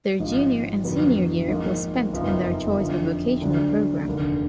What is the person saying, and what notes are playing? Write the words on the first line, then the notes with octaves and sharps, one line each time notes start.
Their Junior and Senior year was spent in their choice of vocational program.
G#1 G#2 F3
F2 D3 F#3 B3
G#1 G#2 F3 A#3 F4
F#1 F2 F3 B3 D#4
F2 D3 F3
D2 D3 F#3 D4
F1 D#2 D3